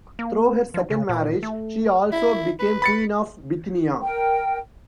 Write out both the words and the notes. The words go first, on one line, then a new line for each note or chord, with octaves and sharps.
Through her second marriage, she also became Queen of Bithynia.
A#3
F3
C#3
A#2
A3
E4
B4
B5 A6 C#7
A#4 G5